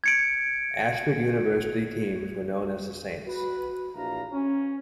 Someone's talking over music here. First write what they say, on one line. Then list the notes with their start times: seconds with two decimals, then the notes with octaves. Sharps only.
Ashford University teams were known as the Saints.
0.04 G#6 C#7 D7
3.26 F#4 B4
3.94 A#1 E3 D4 F#4 F5 A#5
4.31 C#4